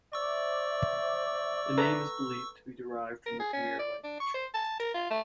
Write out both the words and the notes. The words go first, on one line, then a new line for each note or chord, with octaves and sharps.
The name is believed to be derived from the Khmer language.
C5 D5 E5 C#6 D6 E6
A4 B4 A#5
A#4
G#4
C#4
D5
D4
C#6
C5
A5
A#4
F4
A3